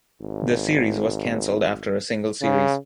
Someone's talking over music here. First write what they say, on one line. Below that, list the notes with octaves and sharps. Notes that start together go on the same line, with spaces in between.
The series was cancelled after a single series.
G#1
C#3